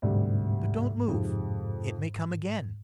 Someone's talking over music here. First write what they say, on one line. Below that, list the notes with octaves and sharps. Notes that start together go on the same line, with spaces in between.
But don't move; it may come again.'
D2 G#2 C3 G3
F2 C3 D#3 G#3